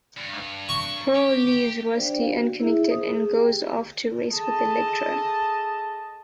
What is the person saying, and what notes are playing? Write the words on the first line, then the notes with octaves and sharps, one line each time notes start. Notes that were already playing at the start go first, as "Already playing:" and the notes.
Pearl leaves Rusty unconnected and goes off to race with Electra.
G2
C#6
G4
D4 G4 C5 D5 F5 G5
F#4
E4 G#4 E5
C5 D#6
G#4
G4 G5
G#4 A4 D#5 A5